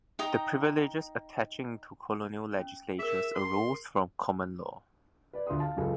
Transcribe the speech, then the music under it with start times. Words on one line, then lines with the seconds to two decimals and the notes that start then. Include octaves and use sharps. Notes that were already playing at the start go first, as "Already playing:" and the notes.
The privileges attaching to colonial legislatures arose from common law.
0.19 D#4 G5 A#5 D#6
2.60 C#4
2.99 G#4 A#4 E5
3.35 C6
5.33 B4 D5
5.47 D2 F4 C6 D#6
5.60 F5 A5
5.77 F#1 C#2 G#4 A4